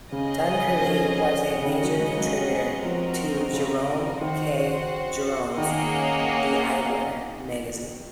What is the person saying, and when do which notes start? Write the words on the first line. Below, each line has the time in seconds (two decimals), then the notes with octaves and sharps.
Dunkerley was a major contributor to Jerome K. Jerome's "The Idler" magazine.
0.11 C#3 C#4 G#4 D#5 G#5
0.81 F3
1.48 C#4 G#4 D#5 F#5
1.62 C#3
1.65 D#3
1.83 F#3
1.99 G#3
2.17 F#3
2.85 F3 C4 F#4 A#4 D#5
3.53 C#3
4.21 D#3 F#4 C5 F#5
5.58 D#3 A#3 C#4 G#4 D#5 F#5